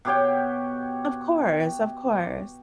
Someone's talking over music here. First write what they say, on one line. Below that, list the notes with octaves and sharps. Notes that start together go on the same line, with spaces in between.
Of course, of course.
B2 G4 C#5 G5